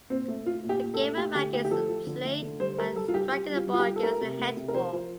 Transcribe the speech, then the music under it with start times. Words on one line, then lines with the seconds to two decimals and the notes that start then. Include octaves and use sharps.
The game of rackets is played by striking a ball against a headwall.
0.10 A#2 C4
0.28 A3
0.46 A3 F4
0.64 A#2
0.69 G4
0.82 A#2
0.94 A4
0.99 A3
1.17 A3 G4
1.35 D3 G4
1.53 A3 G4
1.65 G4
1.71 F3 A4
1.89 F3
2.07 D3
2.25 A3
2.42 D3
2.60 G3 C5
2.78 G3 A#4
2.96 G3 A4
3.08 F4
3.14 G3 G4
3.32 G3 G4
3.50 G3
3.56 F4
3.67 G3
3.73 F4
3.80 G4
3.85 G3
3.96 A4
4.03 A3 A#4
4.21 C3
4.39 A3
4.57 C3
4.68 A#4
4.74 F3 C5
4.93 F3